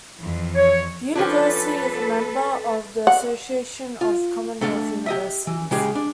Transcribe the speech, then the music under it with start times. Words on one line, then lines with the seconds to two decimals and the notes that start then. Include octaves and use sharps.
The university is a member of the Association of Commonwealth Universities.
0.17 F2 E3
0.55 C#5
1.16 F3 C#4 D4 A4 B4
3.07 F#5
4.01 F4
4.61 A3 D4 A4 F5
5.06 G4 D#5 E5
5.47 E3
5.71 C#3 G#3 G4 G#4
5.95 D4